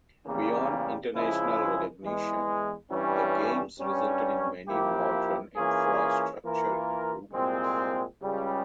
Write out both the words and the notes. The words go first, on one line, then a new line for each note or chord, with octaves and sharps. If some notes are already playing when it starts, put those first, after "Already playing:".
Beyond international recognition, the Games resulted in many modern infrastructure improvements.
E2 C#3 G3 A#3
C#3 F3 G#3 E4 G#4
E2 E3 G#3
G2 E3 G3 C#4
G2 G3 C#4
F3 A#3 E4 G4
E3 A#3 C#4 F4 G#4
E3 A#3 F4 A#4
C2 A#2 G#3 C4
C#2 C#3 G3